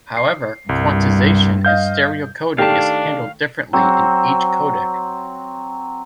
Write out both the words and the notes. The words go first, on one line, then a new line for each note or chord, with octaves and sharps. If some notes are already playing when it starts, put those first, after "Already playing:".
However, quantization and stereo coding is handled differently in each codec.
C7
C2 G2
D#5 F5 G6
D#3 A3 D4 G4 F5 A5
F#3 C4